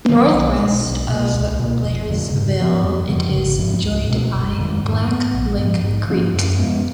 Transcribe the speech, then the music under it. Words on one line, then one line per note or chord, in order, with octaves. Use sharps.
Northwest of Blairsville it is joined by Blacklick Creek.
D#3 F#3
B1
B2 G#3
B1
B2 A#3
C#2
B2 A#3
F1
F2 C#3
G#2
F3 B3
F2
C#3 F3
G#1
G#2 F3
C#2
B2 A#3 C#4
F#1
F2 D#3 G#3
G#2
F#3
B3
A#1
G#2 F3
G#2
F3 A#3 C#4
F#2
F3 G#3 B3